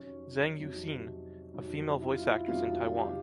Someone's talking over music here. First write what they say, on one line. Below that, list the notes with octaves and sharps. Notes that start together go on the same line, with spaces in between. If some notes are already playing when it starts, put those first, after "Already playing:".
Zheng Yuxin, female voice actress in Taiwan.
Already playing: F2 C3 D#3 F#3 C#4
F2 C3 D#3 F#3
F2 C3 D#3 F#3
E4
F4
E4
F2 C3 D#3 F#3 F4
G4